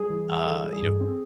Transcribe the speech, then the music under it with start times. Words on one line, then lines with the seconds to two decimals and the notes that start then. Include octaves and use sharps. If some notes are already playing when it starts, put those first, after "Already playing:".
uh, you know.
Already playing: G3 G#4
0.10 E3
0.29 E3
0.46 E3 A4
0.64 G3
0.73 G#4
0.82 G2
1.01 C4